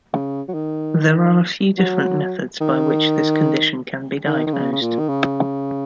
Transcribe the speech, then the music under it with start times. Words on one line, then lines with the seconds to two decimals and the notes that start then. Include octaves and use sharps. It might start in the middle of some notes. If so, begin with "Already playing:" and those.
There are a few different methods by which this condition can be diagnosed.
0.14 C#3
0.48 F#3
0.54 D#3
1.78 F#3
2.61 D#3
4.26 D#3
4.47 D#3
4.54 C#3
4.72 C#3
4.81 A#2
4.99 D#3
5.09 C#3